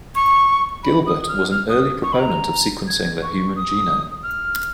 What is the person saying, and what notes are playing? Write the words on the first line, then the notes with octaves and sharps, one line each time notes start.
Gilbert was an early proponent of sequencing the human genome.
C#6
B5
D#6
F6
F6
D#6
C#6
B5
A#5
G#6
C#6
D#6
F6